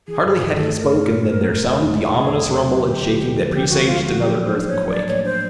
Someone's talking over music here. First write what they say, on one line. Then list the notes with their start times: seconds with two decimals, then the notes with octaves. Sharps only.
Hardly had he spoken than there sounded the ominous rumble and shaking that presaged another earthquake.
0.08 E3 G#4
0.25 G2
0.31 G#4
0.43 G2
0.54 A4
0.60 A3
0.77 E3 A#4
0.94 G2
1.12 G2
1.29 A3
1.46 B2
1.63 E2
1.80 E2
1.97 F#3
2.15 B2 G#4
2.32 E2
2.49 E2
2.66 F#3
2.78 F#4
2.83 D3 G4
3.01 D2
3.19 G#3
3.36 F3
3.53 D3 G4
3.70 D2 F#4
3.87 G#3 F4
4.04 F3 F#4
4.21 F#3 G4
4.39 A2
4.45 C5
4.56 D4
4.68 C#5
4.73 A#3
4.90 F#3 D5
5.08 A2 C#5
5.25 D4 C5